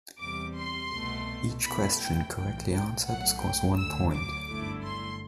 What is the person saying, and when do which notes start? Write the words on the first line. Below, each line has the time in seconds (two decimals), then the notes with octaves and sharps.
Each question correctly answered scores one point.
0.20 E2 C3 G3 D6
0.57 C6
0.92 C2 B2 A3
1.63 B1 B2 A3 E4 B5
1.98 G5
2.34 B1 A2 E3 G5
2.70 G5
3.05 B1 A2 F#3 A3 F#5
3.41 G5
3.76 D2 D3 F#3 E6
4.12 D6
4.48 G1 F#2 D3 A3 E4
4.83 C6